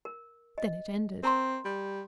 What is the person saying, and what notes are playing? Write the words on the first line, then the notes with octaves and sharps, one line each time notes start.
Then it ended.
A#4
D#5
C4 A#4 A#5 C6
G3